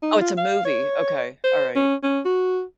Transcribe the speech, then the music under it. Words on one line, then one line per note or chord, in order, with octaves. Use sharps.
Oh, it's a movie, okay, all right.
D#4
F4
F5
C#5
C5
C#4
C#4
F#4